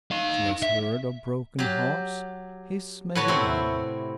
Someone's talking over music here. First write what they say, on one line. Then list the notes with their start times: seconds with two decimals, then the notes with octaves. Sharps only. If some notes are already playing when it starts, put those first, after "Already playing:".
She has heard of broken hearts-- his may be one.
0.11 D#4 F5
0.63 E5
1.59 F#3 G4
3.15 A2 F#4 B4 C#5 A5
3.28 C3 C4 E4